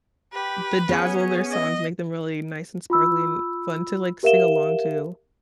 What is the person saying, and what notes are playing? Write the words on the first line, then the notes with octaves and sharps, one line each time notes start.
bedazzle their songs, make them really nice, and sparkly, and fun to, like, sing along to.
G4 B4
B3 C#4 G#4
D#5
F4 B5 E6
G4 A#4 E5 F5 E7 G7